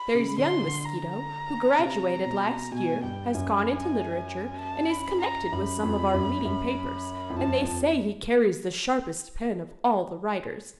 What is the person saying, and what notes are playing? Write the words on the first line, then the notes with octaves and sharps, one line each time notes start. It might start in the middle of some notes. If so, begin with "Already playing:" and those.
There's young Mosquito, who graduated last year, has gone into literature, and is connected with some of our leading papers, and they say he carries the sharpest pen of all the writers.
Already playing: B5
C#3
D3 C6
D3
A#5
C3
B2
B2 G#5
G2 G5
F#2 G#5
A5
B5
A#5
F#2 B5
F2
F#2
F#2
F2
F#2 A5
F2